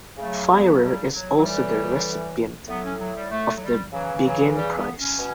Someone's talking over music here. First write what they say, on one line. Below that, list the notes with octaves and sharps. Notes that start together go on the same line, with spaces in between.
Firer is also the recipient of the Begin Prize.
C#3 F#3 A3
B3
G3
F#3
F#3
A2 E3 G3
A2 F#3 B3
C#4
F#3
G3
A3
F#3
G3
C#3 E3 F#3
F#3
G3
B3
C#4
B2